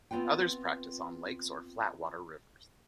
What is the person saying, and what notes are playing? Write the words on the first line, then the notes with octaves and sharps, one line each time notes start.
Others practice on lakes or flatwater rivers.
B3 C4 F4 B4 G5